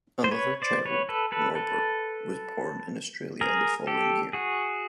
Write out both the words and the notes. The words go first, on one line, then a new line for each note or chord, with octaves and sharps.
Another child, Norbert, was born in Australia the following year.
C5
B4 C#5
C5 D5
B4 C#5
A4 B4
A4 B4
A4 B4
G#4 A#4
G4 A4
F#4 G#4